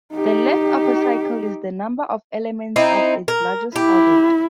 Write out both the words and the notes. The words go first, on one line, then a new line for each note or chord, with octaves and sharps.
The "length" of a cycle is the number of elements of its largest orbit.
D#4 G4
C4 D#4 E4
A#4
E4 G4